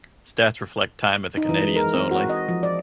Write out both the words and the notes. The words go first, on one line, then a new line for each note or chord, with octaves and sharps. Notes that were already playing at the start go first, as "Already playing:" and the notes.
Stats reflect time with the Canadiens only.
D#4
E3
G#3
A#4
C4
F#4
D#5
F3
D5